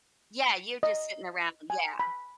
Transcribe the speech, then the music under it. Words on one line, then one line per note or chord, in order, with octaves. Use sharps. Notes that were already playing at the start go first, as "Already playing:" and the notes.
Yeah you're just sitting around, yeah.
D#5
G#5
B5